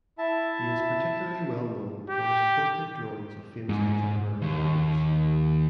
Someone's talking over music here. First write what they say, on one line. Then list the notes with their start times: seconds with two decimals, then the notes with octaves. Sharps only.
He is particularly well known for his portrait drawings of famous contemporary figures.
0.18 E4 E5 A5
2.10 G4
3.69 G#2
4.42 D#2